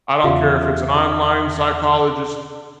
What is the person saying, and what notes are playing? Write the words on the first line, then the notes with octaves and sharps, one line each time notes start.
I don't care if it's an online psychologist,
E2 C#3 F4 G4 E5 F5